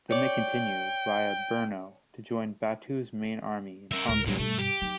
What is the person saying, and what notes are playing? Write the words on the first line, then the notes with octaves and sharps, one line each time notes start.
Then they continued via Brno, to join Batu's main army in Hungary.
C#5 D5 G5
A#4 E5
C#2 A2 A#4
G2 A#2 F#3 G3
G2 B2 A3
G4
F#3 D#4